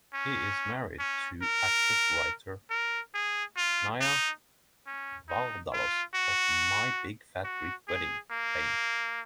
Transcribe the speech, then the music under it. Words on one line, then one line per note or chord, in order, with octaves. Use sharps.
He is married to actress-writer Nia Vardalos of "My Big Fat Greek Wedding" fame.
C#4
C#4
A#4
A#4
G#4
F4
D#4
C#4
D#4
F4
F#4
F#4
G#4
A#3